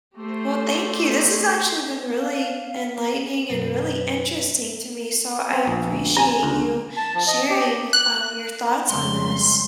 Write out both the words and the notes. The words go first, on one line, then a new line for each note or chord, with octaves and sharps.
Well, thank you. This has actually been really enlightening and really interesting to me, so I appreciate you sharing, uh, your thoughts on this.
A3 G4 C5
F5
F#2 B2 F#3 B4
C4
A#1
D2
C3 G#5 A#5
C#2 D3
A5
F3
D#5
G4
F#6
F2 C#3 G3 G#3 C6